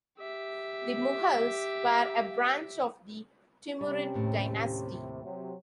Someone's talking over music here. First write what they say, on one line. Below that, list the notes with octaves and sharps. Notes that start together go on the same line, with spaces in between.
The Mughals were a branch of the Timurid dynasty.
G4 E5
C3 G3 C#4 G4
D#2 A2
C3 F#3